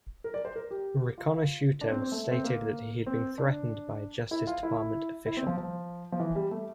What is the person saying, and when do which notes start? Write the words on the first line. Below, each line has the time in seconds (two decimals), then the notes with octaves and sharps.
Riconosciuto stated that he had been threatened by a justice department official.
0.24 A#4
0.34 D5
0.45 C5
0.56 A#4
0.71 G4
1.18 F4
1.81 D4
1.91 C4
2.01 C4
2.12 A3
2.31 C4
2.44 A#3
3.06 C4
3.38 D4
4.31 E4
4.47 F4
4.63 E4
5.26 E4
5.37 C4
5.47 F3
5.57 F3
6.12 F3
6.20 E3
6.35 G3
6.51 A3